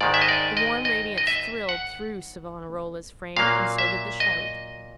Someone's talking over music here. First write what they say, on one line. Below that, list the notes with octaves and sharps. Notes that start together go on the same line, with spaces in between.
The warm radiance thrilled through Savonarola's frame, and so did the shout.
G#2 D#3 G#3 D5
E5
D#5
D5
D#5
D#5
D#5
E5
F#5
A#2 F#3 A#3 F5
E5
D#5